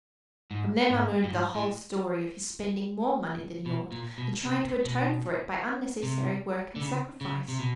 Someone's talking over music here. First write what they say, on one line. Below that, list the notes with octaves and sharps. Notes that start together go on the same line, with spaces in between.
From them I learned the whole story of his spending more money than he ought and trying to atone for it by unnecessary work and sacrifice.
G#2
G#2
G2
G#2
A2
B2
A#2
B2
C3
B2
C3
D3
C#3
C#3
C3
B2